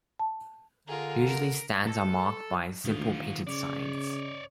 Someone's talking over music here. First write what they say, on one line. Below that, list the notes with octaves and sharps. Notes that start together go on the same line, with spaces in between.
Usually stands are marked by simple painted signs.
A5
D3 F4 G#4 A#4 A#5
A#4
A4
D2 D#3 F4
C#3 C#5 D5